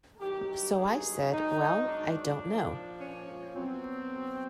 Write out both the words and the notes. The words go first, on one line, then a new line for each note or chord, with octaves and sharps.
So I said, 'Well, I don't know.
G2 D#3 F#3 G4
G#4
G#2 D#3 F#3 D#4
D4
A#2 F3
C#4
B2 F#3 C4